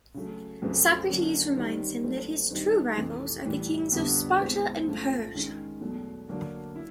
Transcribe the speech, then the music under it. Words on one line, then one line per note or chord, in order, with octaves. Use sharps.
Socrates reminds him that his true rivals are the kings of Sparta and Persia.
C#3 F#3 A3
F2 C#3 F#3 A3 C4
D3 F#3 A#3 C#4
D#3 G3 C4 D#4
A#2 F#3 A3 C4
G2 D#3 G3 C4 D#4
F2 C3 E3 A3 C4
A2 E3 G3
F2 D3 G3 B3
B2 G#3 C4 E4
A2 F3 A3 C#4
D#3 G#3 C#4
E2 B2 F#3 A3
D3 F#3 A#3 D4
E4